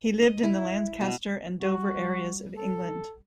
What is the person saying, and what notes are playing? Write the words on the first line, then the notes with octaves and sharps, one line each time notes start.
He lived in the Lancaster and Dover areas of England.
D#5
E4
B2
G3 F#4
A4